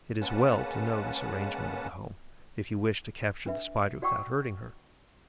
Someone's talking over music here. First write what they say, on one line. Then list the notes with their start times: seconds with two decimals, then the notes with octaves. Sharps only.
It is well to know this arrangement of the home, if you wish to capture the Spider without hurting her.
0.21 G#3 A#3 C#4 B4 F#5 A5
3.46 D4 B4 E5
4.02 F#4 D5 F#5 G5 C#6 E6